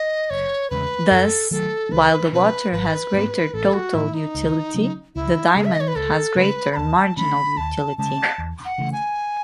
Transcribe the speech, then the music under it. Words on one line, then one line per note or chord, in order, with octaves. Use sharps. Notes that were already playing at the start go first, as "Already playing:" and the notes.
Thus, while the water has greater total utility, the diamond has greater marginal utility.
Already playing: D#5
F#1 C#5
E2 C#3 G#3 B4
F#2 A4
D#3 F#3 A3 A4
C#2 B4
B2 F#3 C#4 B4
G#1 B4
G#2 E3 B3
A1 A4
F#4
A2 E3 E4
D#4
C#2
C#3 F#3 C#4
C#2 E4
C#3 G#3 G#4
E5
D#5
C#5
B4
C#2 A4
C#3 G#3 B4
B5
D#2 A5
D#3 A3 C#4 B5
D#2 A5
C#3 G#3 C#4 A5
E2
F#5
C#3 E3 A3
G#5